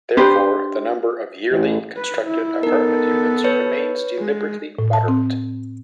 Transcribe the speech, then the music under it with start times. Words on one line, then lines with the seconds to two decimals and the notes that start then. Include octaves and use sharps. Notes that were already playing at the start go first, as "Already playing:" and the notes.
Therefore the number of yearly constructed apartment units remains deliberately moderate.
0.17 D4 G4 B4 C5
1.51 A1
1.96 B4
2.27 E4
2.63 B3 D#4 A4 A#4
3.44 B4 C#5
4.19 G#3
4.79 A2
4.93 A5
5.08 C4